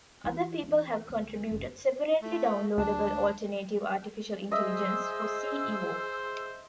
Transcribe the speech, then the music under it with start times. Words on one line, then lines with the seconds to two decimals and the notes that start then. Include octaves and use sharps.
Other people have contributed separately downloadable alternative artificial intelligences for "C-evo".
0.24 E3 E4
0.63 E2
1.10 C#2
1.51 F#1 B1
2.22 A3
2.78 D2 D4
4.52 G#4 C5 D#5 E5 E6